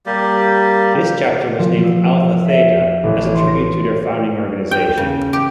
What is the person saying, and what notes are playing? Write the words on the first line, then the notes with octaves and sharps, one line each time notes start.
This chapter was named Alpha Theta as a tribute to their founding organization.
G3 A#3 G4
F3
E6
E5
A1
C6
A#6
G5
C#3
G4